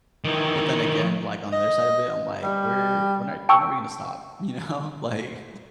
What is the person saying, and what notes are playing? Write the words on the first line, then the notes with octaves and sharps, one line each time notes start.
But then again, like, on the other side of it, I'm, like, "Where when are when are we gonna stop"? You know, like,
D#3 E3
D#5
G3
G5 A5 C#6 E6